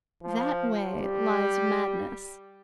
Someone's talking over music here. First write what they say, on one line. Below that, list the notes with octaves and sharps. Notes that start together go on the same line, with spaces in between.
That way lies madness.
F3
G3